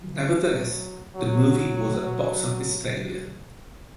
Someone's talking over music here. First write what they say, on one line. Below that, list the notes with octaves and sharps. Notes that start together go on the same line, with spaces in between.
Nevertheless, the movie was a box office failure.
F3
F#3
F#3